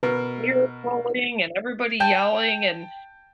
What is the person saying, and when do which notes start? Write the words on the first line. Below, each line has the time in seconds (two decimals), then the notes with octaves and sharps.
hair-pulling and everybody yelling, and
0.03 B2 A#4 B4
2.00 G5 A5 G6